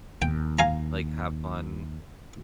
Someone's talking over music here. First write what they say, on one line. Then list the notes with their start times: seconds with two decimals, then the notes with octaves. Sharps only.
Like, have fun,
0.22 D#2 G5
0.59 F5 G#5 A#5